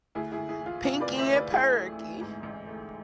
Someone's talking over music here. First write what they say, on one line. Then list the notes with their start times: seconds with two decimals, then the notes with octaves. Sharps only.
Pinky and Perky!
0.15 D2 E4 G#4
0.32 E4 G#4
0.37 D2
0.49 E4 G#4
0.61 E3
0.66 F4
0.83 C3 F4
1.00 B4 D5
1.07 D2
1.17 C5 E5
1.29 D2
1.35 B4 D5
1.52 A1 E4 G#4
1.75 A3
1.98 E3
2.21 G#2
2.43 A1
2.67 A3